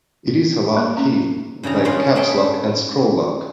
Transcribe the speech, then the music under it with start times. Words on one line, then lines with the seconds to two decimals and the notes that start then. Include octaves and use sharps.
It is a lock key, like Caps Lock and Scroll Lock.
0.77 A#3
0.97 C#4
1.63 G2 C#3 E3 A#5
1.84 G#3 B3 C#4 F4 C5 F#5
2.15 A3 B3 G#4 E5 G5